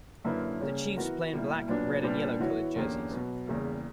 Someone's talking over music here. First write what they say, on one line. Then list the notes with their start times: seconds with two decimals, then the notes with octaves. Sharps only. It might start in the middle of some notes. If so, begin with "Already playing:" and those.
The Chiefs play in black, red and yellow coloured jerseys.
0.24 F#2 D3 A#3 E4 B4
0.60 C#3 G3 A#3 C#4
0.96 E3 B3 F#4 A#4
1.32 B2 G3 A#3 E4
1.67 A#2 F#3 B3 D4
2.03 A#2 G3 B3 D4
2.40 E3 B3 F#4 C#5
2.76 E2 D3 A#3 C#4 G4
3.11 B2 F#3 B3
3.47 E2 C#3 G3 A#3